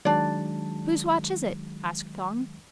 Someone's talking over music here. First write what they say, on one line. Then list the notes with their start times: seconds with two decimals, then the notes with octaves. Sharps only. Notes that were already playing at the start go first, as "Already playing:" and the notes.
"Whose watch is it?" asked Thong.
0.05 D#3 F#3 G#3 D4 D5